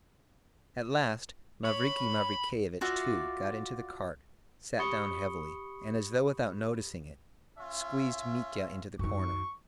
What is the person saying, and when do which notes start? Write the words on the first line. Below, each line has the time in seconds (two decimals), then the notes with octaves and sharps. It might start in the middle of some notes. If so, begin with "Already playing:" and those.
At last Mavriky Mavrikyevitch, too, got into the cart, sat down heavily, and, as though without noticing it, squeezed Mitya into the corner.
1.64 C#5 B5
2.81 F4 F#4 D5 E5
4.79 G4 B5 C#6 D#6 C#7 G7
7.59 C#4 F4 E5
8.99 F#2 D#3 C#6